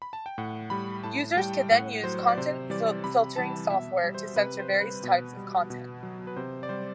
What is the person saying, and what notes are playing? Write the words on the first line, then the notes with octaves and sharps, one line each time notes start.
Users could then use content filtering software to censor various types of content.
B5
A5
G5
A2 F#5
G3 B5
A2 A5
G3 G5
A2 F#5
F#3 C5
D5
C3 C5
E3 G3 D5
C3 B5
E3 G3 A5
B2 E5
G3
C5
C3 B4
C5
G3
B4
B2
G3
B2
F#3
B4
C3 C5
D5
G3 C5